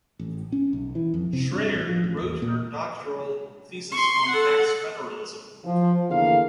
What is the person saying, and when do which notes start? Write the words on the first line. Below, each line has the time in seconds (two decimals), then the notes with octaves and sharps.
Schreyer wrote her doctoral thesis on tax federalism.
0.19 A1
0.52 C#4
0.73 B1
0.95 E3
1.14 F2
1.33 C3
1.51 G2
1.74 A1
1.87 F3
2.04 A1
2.21 E2
2.42 A#2
3.92 C6 C#6
4.30 A4 F#5
5.65 F3
6.10 E2 D3 A#3 F5